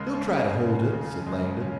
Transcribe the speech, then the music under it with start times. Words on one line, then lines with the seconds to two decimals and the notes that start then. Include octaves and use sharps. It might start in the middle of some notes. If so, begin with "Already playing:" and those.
"He'll try to hold it," said Langdon.
Already playing: D#2 C#3 G#3
0.25 C#4
0.59 C#3
0.92 D#2
1.26 G#3
1.62 C#4